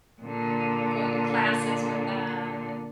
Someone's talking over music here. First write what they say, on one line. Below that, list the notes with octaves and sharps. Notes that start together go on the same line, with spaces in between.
going to classes with them. And,
A#2 D3